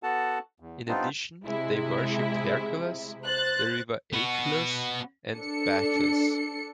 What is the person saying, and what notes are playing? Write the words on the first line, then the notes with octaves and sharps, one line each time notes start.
In addition, they worshiped Hercules, the river Achelous and Bacchus.
B3 F#4 A4 F#5 A5
E2
G3 B3 C4 D4 D#4 F4
C3 G#3 E4
C5 F#6 A6
B3 F#4
D4 A4 C#7